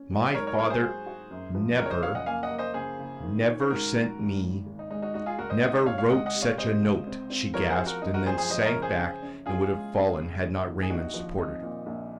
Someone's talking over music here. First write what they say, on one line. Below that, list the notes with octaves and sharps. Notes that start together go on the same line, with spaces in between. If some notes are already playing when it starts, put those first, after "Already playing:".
"My father--never--never sent me--never wrote such a note--" she gasped, and then sank back and would have fallen had not Raymond supported her.
Already playing: C#4
F#3
G#2 A#4 C#5
A#4 C#5
F#3 A#4 C#5
G#4 C5
F#4
F#4
F#2
F3
C#3 F#4 A#4
C#5
C5 D#5
F#2 C#5 F5
D#5 F#5
A#3 F5 G#5
D#5 F#5
A#3
C5 D#5
C#3 G#4 C5
C#3
D#3
D#3 C#5
C5
G#2 F#4 A#4
G#2
G#1
G#2
G#1
D#4
G#3 D#4
D#4 F#4
C#2 D#4 F#4
F4 G#4
C#2 F#4 A#4
C5 D#5
D#3 D#5 F#5
C5 D#5
C#2 C#5 F5
C#5 F5
C#2 D#5 F#5
D#5 F#5
C3
C#5 F5
C3 C5 D#5
C#2
C4
C4
F3 A#4 C#5
A#4
G#4 C5
F3
F#4 A#4
F#2 D#4
F#4 A#4
F3 G#4 C5
G#4 C5
F3 C5 D#5
D#5
A#4 C#5
C#3
G#4 C5
C#4
C#4
C#4 F4 G#4
G#3
C#4
C#3
C#4
D#2
G#4
A#1 D#4 F#4
F3
C4 D#4
A#2
A#1